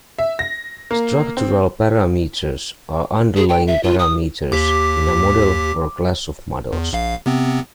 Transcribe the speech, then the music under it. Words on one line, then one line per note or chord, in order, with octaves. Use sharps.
Structural parameters are underlying parameters in a model or class of models.
E5
A#6
A#3
C4
G#4
G5
E5
F4
D#6
D#2 G4 D6 B6
E2
A#1 F5
C3 B3 C4